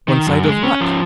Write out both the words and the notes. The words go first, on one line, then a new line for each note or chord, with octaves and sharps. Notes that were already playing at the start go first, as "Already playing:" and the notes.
'One side of WHAT?
D#3
F#2
G#3
C#4
F3